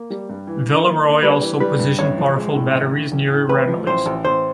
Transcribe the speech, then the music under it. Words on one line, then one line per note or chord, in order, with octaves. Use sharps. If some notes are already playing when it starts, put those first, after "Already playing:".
Villeroi also positioned powerful batteries near Ramillies.
Already playing: A#3
G3
G2
E3
E3
A#3
A#3
G3 B4
E3
G3 B4
G2
A1 C#5
F3
G#3
A2
A1
A1
A1
A2
A1 B4
F3
A1 C5
A1
A1 C5